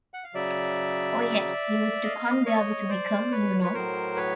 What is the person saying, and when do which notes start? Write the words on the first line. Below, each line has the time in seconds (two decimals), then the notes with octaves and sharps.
Oh, yes! — he was to come there with Wickham, you know.
0.14 F#5
0.24 F5
0.34 C#3 F#3 D5 E5
2.04 D#5 F5
2.46 C#5 D#5
2.89 C5 D5
3.31 B4 C#5
3.64 B4
3.74 A2 F#3 A#4 C5
4.16 B4 C#5